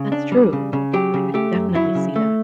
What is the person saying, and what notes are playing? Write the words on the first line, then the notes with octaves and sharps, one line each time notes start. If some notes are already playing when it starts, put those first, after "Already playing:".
That's true. I I could definitely see that.
Already playing: C#3
D4
G3
C#3
C#3
F#3 G4
C#3
A3 G4
F#2
F#3 E4
C#3
A3